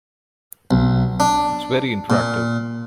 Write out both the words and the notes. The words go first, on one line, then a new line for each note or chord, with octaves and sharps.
It's very interactive.
B1
D4
A#2